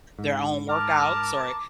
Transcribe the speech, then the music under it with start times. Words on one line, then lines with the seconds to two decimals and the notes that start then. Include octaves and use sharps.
their own workouts, or
0.19 G#2
0.69 A#4 A5 D6 F6